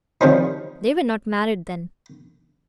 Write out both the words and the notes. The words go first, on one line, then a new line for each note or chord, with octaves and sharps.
They were not married then.
D#3 F3 G3 C4 C#4 D#4